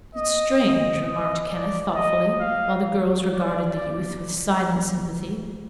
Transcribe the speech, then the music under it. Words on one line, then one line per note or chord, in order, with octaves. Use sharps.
"It's strange," remarked Kenneth, thoughtfully, while the girls regarded the youth with silent sympathy.
D#5
D#5
D#5
D5
D#5
F5
D5